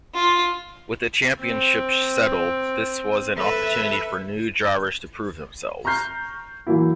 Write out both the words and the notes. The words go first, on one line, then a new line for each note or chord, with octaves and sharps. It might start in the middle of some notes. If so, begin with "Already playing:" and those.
With the championship settled, this was an opportunity for new drivers to prove themselves.
F4
C4
A4 B4 E5
A#5 C#6 F6 G6 C7
E3 F#3 A#3 E4